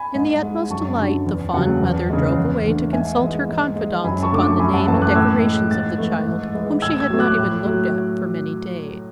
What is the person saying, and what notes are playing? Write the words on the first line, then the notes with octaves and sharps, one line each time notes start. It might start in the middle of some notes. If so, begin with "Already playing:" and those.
In the utmost delight the fond mother drove away to consult her confidants upon the name and decorations of the child, whom she had not even looked at for many days.
Already playing: G#5 B5
G#2
G#3
F#2 A5 C#6
D3 F#3
E2
C#3 F#3 F#5 A5
E2
C#3 G#3
E2
D3 A3
G#2 E5 G#5
E3 G#3
G#2
G#3
F#2 G#5 B5
A5 C#6
D3 A3 D6
A5 C#6
F#2 G#5 B5
F#5 A5
E3 A3 F#5 A5
D6 F#6
A2 E6 G#6
G#3
G#2 F#6 A6
E3 A3
G#2
E3 G#3
A2 E6 G#6
E6 G#6
F#3 A3
D6 F#6
A2
F#3 A3